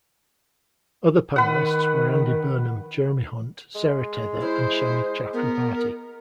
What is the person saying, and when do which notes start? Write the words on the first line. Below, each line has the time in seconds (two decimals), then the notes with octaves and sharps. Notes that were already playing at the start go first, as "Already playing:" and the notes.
Other panellists were Andy Burnham, Jeremy Hunt, Sarah Teather and Shami Chakrabarti.
1.36 D#3 B4 F#5
3.75 G#3
4.41 E4 C5
5.33 B3 A#4